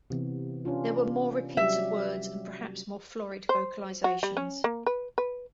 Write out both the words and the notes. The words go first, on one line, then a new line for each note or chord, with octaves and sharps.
There were more repeats of words and perhaps more florid vocalisations.
C3 E3 B3
C#4 D4 F4
F#3 G3 G4 E5
C5
F#4
G3
C#4
A#3
B4
B4